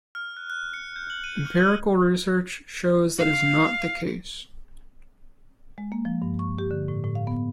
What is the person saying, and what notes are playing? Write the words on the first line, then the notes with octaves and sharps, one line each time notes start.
Empirical research shows that is not the case.
F6
F#6
F#6
C#7
G6
F#7
D#7
F6
E6
F5
G#3
A#3
F3
G2
C#6
G4
D3
A2
A2
F5
B3